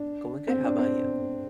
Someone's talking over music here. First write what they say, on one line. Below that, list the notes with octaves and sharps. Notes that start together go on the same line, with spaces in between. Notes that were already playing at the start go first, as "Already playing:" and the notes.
Going good, how 'bout you?
Already playing: D4
C4
D4
C4